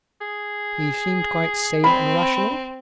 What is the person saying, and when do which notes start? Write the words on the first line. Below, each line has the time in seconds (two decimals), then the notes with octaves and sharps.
"He seemed quite sane and rational?"
0.21 G#4
1.84 C4 B5